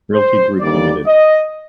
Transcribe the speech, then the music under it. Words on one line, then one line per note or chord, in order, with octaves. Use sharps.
Realty Group Limited.
C5
D#2 D3 G3 A#3 D5
D#5